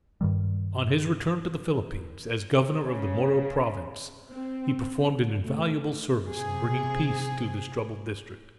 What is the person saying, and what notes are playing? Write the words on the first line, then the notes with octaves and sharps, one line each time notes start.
On his return to the Philippines, as Governor of the Moro Province, he performed an invaluable service in bringing peace to this troubled district.
G2 D#3 G3
C#3
C4
A3
C3 G#4